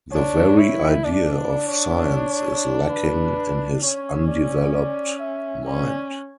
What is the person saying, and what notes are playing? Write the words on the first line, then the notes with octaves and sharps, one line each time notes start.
The very idea of science is lacking in his undeveloped mind.
D4 C#5
E4
D4 D5
D5
C#5
C#5
B4
C#4 C#5
D5
D5
E5
C#4 D5